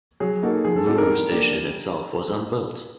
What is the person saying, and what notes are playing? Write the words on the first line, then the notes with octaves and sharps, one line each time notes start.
Looe station itself was unbuilt.
F#3 G#4
A#3 D#4 F#4 A4
F3 G#4
A4
G#3 C4 D#4 F#4 A4
A#4
G3
A#3 D4 G4
G3